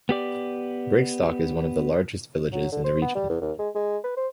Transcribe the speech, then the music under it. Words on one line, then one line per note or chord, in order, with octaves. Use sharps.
Brigstock is one of the largest villages in the region.
B3 G4 D5
F#3
D3
C5
B3
G3
E2
D#2
G#3
G#3
B4
C5